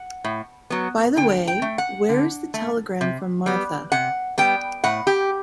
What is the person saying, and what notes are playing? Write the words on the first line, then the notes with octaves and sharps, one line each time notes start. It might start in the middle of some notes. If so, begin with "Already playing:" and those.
By the way, where is the telegram from Marthe?
Already playing: F#5
A2
F#3 B3
D3 G5
G5
A3
F#5
D3
A3
C3
G3 B3
C3 F#5
G3 B3 G5
A2 F#5
G4